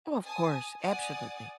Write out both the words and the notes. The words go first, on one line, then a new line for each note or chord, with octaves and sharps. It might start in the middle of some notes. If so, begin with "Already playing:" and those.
Oh, of course, absolutely.
G#5 A5 D#6
D5 F#5 G#5 D#6 A6